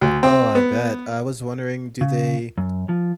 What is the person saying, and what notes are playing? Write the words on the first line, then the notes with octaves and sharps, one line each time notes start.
Oh, I bet, I was wondering, do they,
D2
C4
B3
C#3
F#2
F3